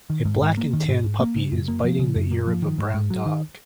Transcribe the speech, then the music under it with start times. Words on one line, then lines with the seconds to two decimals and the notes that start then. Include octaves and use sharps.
A black and tan puppy is biting the ear of a brown dog.
0.10 D#3
0.25 G#2
0.41 G#2
0.57 A#3
0.73 D#3
0.89 G#2
1.04 G#2
1.20 A#3
1.36 C#3
1.52 F#2
1.68 A#3
1.84 F3
1.99 C#3
2.16 F#2
2.31 A#3
2.47 F3
2.62 D#3
2.78 G#2
2.94 G#2
3.10 F#3
3.26 D#3